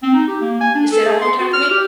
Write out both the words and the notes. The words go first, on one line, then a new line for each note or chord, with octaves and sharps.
Say that one more time for me.
C4
D#4
G4
A#3
G#5
D4
A4
G#4
C6
F#4
F6
G4